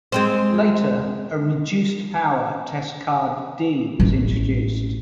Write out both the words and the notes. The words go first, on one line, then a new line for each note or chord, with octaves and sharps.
Later, a "Reduced Power" Test Card D was introduced.
G#3 C4 C5
A1 C#4